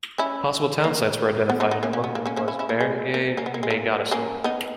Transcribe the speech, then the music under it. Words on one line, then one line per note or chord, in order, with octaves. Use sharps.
Possible town sites were identified and among them was Barangay Maygatasan.
C#4 E4
A#3
B3
B3 D#4
B3 D#4
A#3 C#4
A#3 C#4
B3
A#3
A#3 C#4
A#3 C#4
C#4 E4
C#4 E4
A#3
G#3
A#3
A#3 C#4
B3
A#3
G#3
A#3
A#3 C#4
B3 D#4